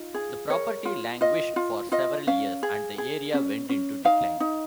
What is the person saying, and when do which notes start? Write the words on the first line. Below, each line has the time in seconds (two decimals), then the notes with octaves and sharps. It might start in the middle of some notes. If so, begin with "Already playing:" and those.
The property languished for several years and the area went into decline.
Already playing: D#4 F4
0.14 G#4
0.50 A#4 C#5
0.85 F4
1.21 F4 D#5
1.56 F4
1.92 F4 D#5
2.27 C#4 F5
2.63 G#4
2.98 G#4
3.34 C#4
3.69 C#4
4.05 D#4 F5
4.40 D#4